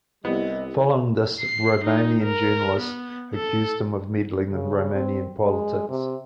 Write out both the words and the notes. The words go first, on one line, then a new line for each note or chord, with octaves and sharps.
Following this, Romanian journalists accused him of meddling in Romanian politics.
C2 G3 B3 E4 D#5
C7
D#4
A#4
B3
A4
C#3
C4
G#3
C3